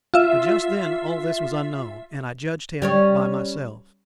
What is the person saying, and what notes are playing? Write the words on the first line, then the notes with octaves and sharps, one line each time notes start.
But just then all this was unknown, and I judged him by myself.
F4 E5
G3 C#4 C#5